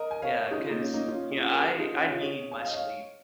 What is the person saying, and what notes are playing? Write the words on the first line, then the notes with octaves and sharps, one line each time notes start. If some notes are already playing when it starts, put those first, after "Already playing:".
Yeah. 'Cause, you know, I I need my sleep.
Already playing: A#4 D#5
G#5
C#5 F5
D#4 G#4
C#4 F4
A#3 D#4
C#4
A#3 D#4
C#4 F4
G#4
C#4 F4
A#4
G#4
F4
D#4 G#4
C#4 F4
C#4 F4
G#4 C#5
G#5
F5
D#5
C#5 F5